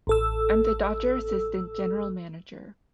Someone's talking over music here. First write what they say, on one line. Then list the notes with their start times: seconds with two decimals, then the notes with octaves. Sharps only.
I'm the Dodger assistant general manager.
0.07 A1 A4 E6